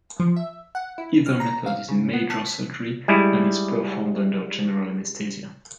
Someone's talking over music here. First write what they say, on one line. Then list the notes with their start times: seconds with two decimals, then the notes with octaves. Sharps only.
Either method is major surgery and is performed under general anesthesia.
0.20 F3
0.36 E5
0.75 F#5
0.98 E4
1.26 F6
1.40 A#5
1.66 F5
1.89 C#3
2.13 B3
2.30 A5
2.46 B6
3.08 G3 G#3 E4